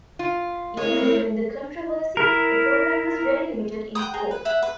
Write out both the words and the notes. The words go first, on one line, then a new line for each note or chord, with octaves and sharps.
Even during the controversy, the program was very limited in scope.
F4
G#3 C4 E4 A#4 C#5
E4 A#4
F#5 G5 B5 D#6
G#4 G5 A#5
B4
E5 F#5
B4